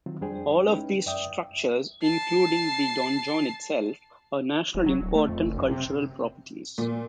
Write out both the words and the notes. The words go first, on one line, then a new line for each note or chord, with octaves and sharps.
All of these structures, including the donjon itself, are National Important Cultural Properties.
D#3 F#3 C4 F4
F2 G3 D4 G#4 C5 G5
G#3 C#4 D#4 E4 B4 G5
F#2 D5 E5 G5 D#6
A5 C7
E1
F#3
D1
A3
F2
F#1
F#2
C3
A#2